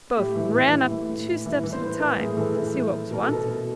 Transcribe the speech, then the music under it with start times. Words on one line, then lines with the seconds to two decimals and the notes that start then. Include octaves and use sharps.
Both ran up two steps at a time, to see what was wanted.
0.17 A2 G4
0.36 E3
0.54 E3
0.71 E3
0.91 A2
1.09 A2
1.27 A2
1.46 E3
1.63 E3
1.72 C5
1.82 A2 B4
2.00 A2 A#4
2.19 A2 G#4
2.37 E3 A4
2.56 E3
2.75 E3
2.92 A2
3.10 B2 A#4
3.21 A4
3.29 B2 A#4
3.48 B2